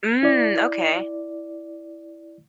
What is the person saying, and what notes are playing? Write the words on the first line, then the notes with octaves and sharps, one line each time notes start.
Mm, okay.
E4 D5